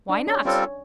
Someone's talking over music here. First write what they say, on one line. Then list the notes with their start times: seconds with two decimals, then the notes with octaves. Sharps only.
"Why not?"
0.09 D4
0.27 C#4
0.45 G3 C4 C#4 F4 A4